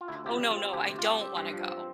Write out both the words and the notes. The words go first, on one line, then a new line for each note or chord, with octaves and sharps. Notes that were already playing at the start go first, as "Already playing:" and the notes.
"Oh, no, no, I don't wanna go,"
F4
D2 E4
C3 G4
F4
G3
F4
C4
D2 G4
C3
F4
G3 G4
C4
G2
F3
C4